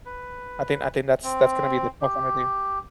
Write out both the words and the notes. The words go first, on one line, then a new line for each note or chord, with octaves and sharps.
I think I think that's that's gonna be the tough one with you.
B4
C4
G4